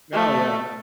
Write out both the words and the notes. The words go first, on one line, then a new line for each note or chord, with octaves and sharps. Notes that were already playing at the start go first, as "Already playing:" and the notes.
Oh, yeah,
A3